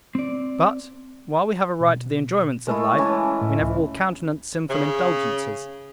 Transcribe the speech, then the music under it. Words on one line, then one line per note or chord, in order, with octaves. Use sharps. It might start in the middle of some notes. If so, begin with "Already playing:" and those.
But, while we have a right to the enjoyments of life, we never will countenance sinful indulgences.
C4 D5
B2
G#3 A3 E4 A#4
C#3 E3 C#5 G#5 A5
A2
C#2
C#3